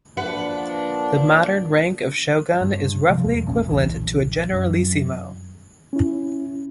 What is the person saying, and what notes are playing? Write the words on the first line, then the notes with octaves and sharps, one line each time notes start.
The modern rank of shogun is roughly equivalent to a generalissimo.
F3 A#3 D4 B4 F#5
G2
C3 F3 G3
E2
A1 A#2 C#4
D#1 B1 E3
F#2
C#4 E4